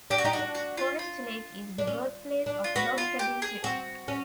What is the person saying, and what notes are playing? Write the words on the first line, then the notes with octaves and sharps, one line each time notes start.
Forest Lake is the birthplace of Log Cabin Syrup.
D4 G4
F#4
D#4 G4
F#4
D4
F#4
F4
F4
D4
C#4
D4
F4
B3 F#4
F4
G4
G#4
C4 F#4
C#4